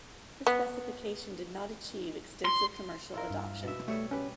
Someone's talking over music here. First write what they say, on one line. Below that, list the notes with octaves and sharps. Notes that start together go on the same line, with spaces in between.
This specification did not achieve extensive commercial adoption.
B3
C6
E4 F4 A#4
G2
B2 E5
G3 A3 C#5 E5
C#4 G4 B4